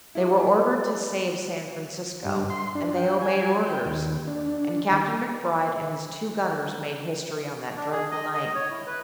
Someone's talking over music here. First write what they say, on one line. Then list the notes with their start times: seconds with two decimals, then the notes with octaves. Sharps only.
They were ordered to save San Francisco, and they obeyed orders, and Captain MacBride and his two gunners made history on that dreadful night.
0.15 F#3 E4 G4
2.25 G2
2.50 C6
2.75 D4
2.97 G5
3.22 G#5
3.66 G5
3.85 D#2
4.27 D4
4.92 D#3
7.76 D4
7.92 G#4
8.11 D#5
8.34 D#5
8.55 C#5
8.70 E4
8.87 B4